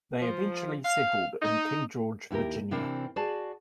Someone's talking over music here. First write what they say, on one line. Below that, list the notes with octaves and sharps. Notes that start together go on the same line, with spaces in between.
They eventually settled in King George, Virginia.
F3
F5
D#4
D#2 E4 F#4 G4 A#4
C3 E3 C4 D4 E4 A#4
F#4 G#4 D5 A5